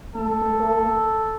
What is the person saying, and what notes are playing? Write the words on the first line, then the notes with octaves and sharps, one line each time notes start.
future goals,
A4